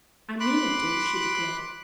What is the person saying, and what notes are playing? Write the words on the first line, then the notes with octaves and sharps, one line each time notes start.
"I mean it to," she declared.
B5 C6 D6 F#6